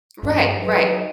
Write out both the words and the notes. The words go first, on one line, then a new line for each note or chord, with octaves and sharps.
Right, right.
G2 F3
F#3 D#4 B4